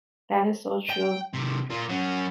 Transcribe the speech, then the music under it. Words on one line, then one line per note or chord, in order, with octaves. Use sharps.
That is so true.
G5
C3 D#3
A#2 F4
F#3 C#4